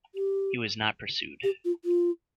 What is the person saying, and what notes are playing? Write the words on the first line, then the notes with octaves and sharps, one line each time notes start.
He was not pursued.
G4
G4
F4
F4